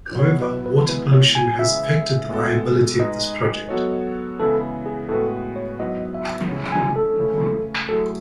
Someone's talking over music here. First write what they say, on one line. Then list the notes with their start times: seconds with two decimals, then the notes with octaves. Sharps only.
However, water pollution has affected the viability of this project.
0.19 B2 F#3 B3 E4 C#5
0.42 B4
0.66 B4
0.88 E3 G#3 B3 E4 B4
1.12 C#5
1.35 G#5
1.59 C#3 E3 G#3 E5
2.29 A2 G#3 B3 F#4 A4
2.99 G#3 D#4 G#4 B4 D#5
3.69 F#3 B3 F#4 A4 C#5
4.40 C#3 E3 G#3 B3 E4 A4
4.86 G#4
5.09 A2 G#3 B3 F#4 A4 B4
5.56 C#5
5.79 G#2 F#3 B3 E4 B4 D#5
6.15 E5
6.49 G#3 C#4 E4 G#4 C#5
6.72 G#5
6.96 A4
7.19 C#3 E3 A3 C#4 E4
7.89 F#3 A3 E4 G#4 A4